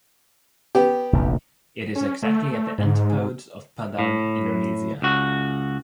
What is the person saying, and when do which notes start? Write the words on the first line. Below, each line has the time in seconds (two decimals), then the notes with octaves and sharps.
It is exactly at the antipodes of Padang, Indonesia.
0.75 B3 G4
1.13 F1 A#1 E2
1.95 C#4
2.22 A3
2.78 G#2
3.99 A2
5.02 C#2 F#4